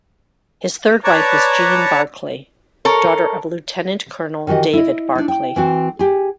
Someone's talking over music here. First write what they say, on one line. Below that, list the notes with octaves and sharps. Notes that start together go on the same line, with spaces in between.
His third wife was Jean Barclay, daughter of Lieutenant-Colonel David Barclay.
B4 C#5 D5 A5 A#5 C#6
A4 A#4 C#5
D#3 E3 F#4 G4 D#5
E4 D#5
D4 D#4
G5
E3 C4 F#4
G4 G#4